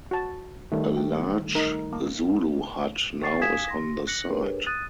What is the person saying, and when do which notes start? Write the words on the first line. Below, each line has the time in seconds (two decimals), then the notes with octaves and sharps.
A large Zulu hut now is on the site.
0.11 F#4 A5
0.72 D#3 G3 A3
0.97 G5
1.55 D#4 A#4
1.93 A#3
3.23 C#6 A6 C7
3.41 F5 G#5 D#6 G#6 B6 E7
3.69 C6 A#6
4.07 F#6 A#6 C#7 F#7
4.29 D4 G4 G#4 A#4 B4 C#5
4.66 D#6 F#6 A6 D#7